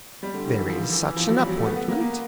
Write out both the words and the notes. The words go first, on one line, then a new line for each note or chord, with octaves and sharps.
"There is such an appointment."
G3
D3
D#3
E3
F3
E3
E3
F3
F#3
G3
F#3
A3
B3
B3
A#3
A#3